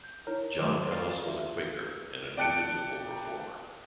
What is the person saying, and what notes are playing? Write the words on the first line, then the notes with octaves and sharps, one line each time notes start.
John Ellis was a Quaker and a noted liberal reformer.
G6
D#4 E4 A#4 C#5
D#3 F#3 A3 C6 D6
D5 D#5 F5
F4 B4 E5
D5 G5 A5 F#6 C#7 D7